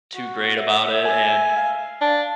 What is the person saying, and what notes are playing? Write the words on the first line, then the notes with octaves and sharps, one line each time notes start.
too great about it, and
F#4
E5
G#5
F5
D4